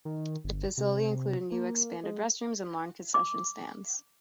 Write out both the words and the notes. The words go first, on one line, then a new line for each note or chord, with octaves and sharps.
The facility included new expanded restrooms and larger concession stands.
D#3
G1
C3
A#3
G#3
D6